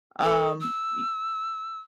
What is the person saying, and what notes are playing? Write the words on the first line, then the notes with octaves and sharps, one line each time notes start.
um, eh
A4
E6